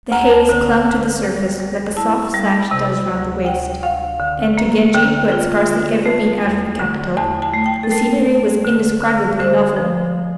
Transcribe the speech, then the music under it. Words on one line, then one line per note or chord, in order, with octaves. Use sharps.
The haze clung to the surface like a soft sash does round the waist, and to Genji, who had scarcely ever been out of the capital, the scenery was indescribably novel.
D2 A#5
A5
D3
D3
G3
G3
E4 A5
G3
C3
D2
D2 G5
D2 F5
D3
A#3
D3 G5
F4
D3
A3
E2
D3
E2 A5
A5
A3
G5
A4
A3 A#4
A3
D3
D3
D3 C5
F3